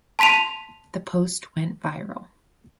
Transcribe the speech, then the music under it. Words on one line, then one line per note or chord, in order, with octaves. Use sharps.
The post went viral.
A5 C6 B6 D#7 F7